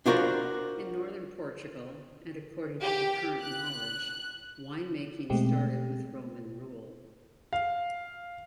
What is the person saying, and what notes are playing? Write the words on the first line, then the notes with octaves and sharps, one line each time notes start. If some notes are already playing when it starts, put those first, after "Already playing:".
In Northern Portugal, and according to the current knowledge, wine-making started with Roman rule.
D4 F4 F#4 A#4 C5
G4
F#6
B2 G#3 A3 C4 G4
F5